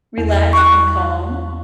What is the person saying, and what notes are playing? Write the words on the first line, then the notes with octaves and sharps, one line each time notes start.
relaxed and calm.
E2
C#6 F#6